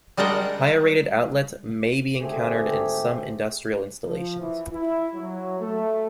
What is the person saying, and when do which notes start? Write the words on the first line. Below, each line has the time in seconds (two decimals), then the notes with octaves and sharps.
Higher rated outlets may be encountered in some industrial installations.
0.17 G3 G#3 D4 A#4 F#5 G5
2.21 G#1 D3 A3 G4 G#4 C5
4.06 F3
4.40 E3
4.71 E4
5.14 F#3
5.60 A3